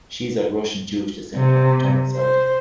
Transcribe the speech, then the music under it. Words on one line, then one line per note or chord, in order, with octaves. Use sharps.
She is of Russian Jewish descent on her paternal side.
C3
C5